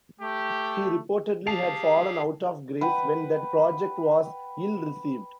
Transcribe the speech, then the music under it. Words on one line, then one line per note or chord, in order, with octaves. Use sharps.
He reportedly had fallen out of grace when that project was ill-received.
A3 G4
G4 G#4 F5 A5 C7 F7
B4 F#5 G5